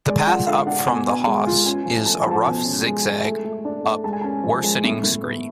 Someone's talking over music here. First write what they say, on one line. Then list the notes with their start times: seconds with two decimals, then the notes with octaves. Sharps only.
The path up from the Hause is a rough zigzag up worsening scree.
0.07 G#3 D5
0.27 F4 F#5
0.47 D3 F5
0.67 D4 F#5
0.87 B2 G#5
1.07 B3
1.26 G#3
1.47 F4
1.66 C#4 G#5
1.86 F3
2.06 A3 A5
2.26 F3
2.31 A5
2.45 B2 G#5
2.65 C#4
2.85 G#3
3.05 G#3
3.25 A3
3.44 A3
3.65 D4
3.84 A3
4.04 G#3 A5
4.13 G#5
4.21 C#4 A5
4.43 F3
4.63 G#3
4.84 A2
5.03 A2
5.23 B3